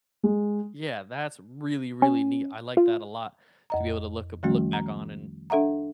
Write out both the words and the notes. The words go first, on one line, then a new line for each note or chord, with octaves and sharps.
Yeah. That's really, really neat, I like that a lot, to be able to look up look back on and
G#3
C#4
F4
F2 D#5 A#5
D#3 F3 G3 A3 C#4 F#4
A#5
D4 A4 E5 F#5 A#5